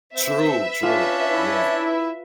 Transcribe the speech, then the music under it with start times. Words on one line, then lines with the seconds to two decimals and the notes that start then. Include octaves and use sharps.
True, true. Yeah.
0.15 C4 B4 E5
0.83 C#4 D4 F4
1.30 E4